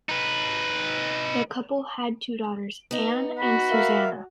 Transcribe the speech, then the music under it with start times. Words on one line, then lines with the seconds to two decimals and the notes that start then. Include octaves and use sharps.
The couple had two daughters, Anne and Susannah.
0.09 D#4 B4
2.91 B3 D#4
3.39 F#4 B5
3.71 A#4 E5 F5